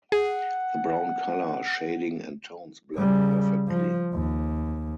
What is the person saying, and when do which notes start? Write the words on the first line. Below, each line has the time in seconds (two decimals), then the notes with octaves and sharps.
The brown color shading and tones blend perfectly.
0.12 G#4 F#5
2.96 C#3 G3
3.68 F3
4.14 D#2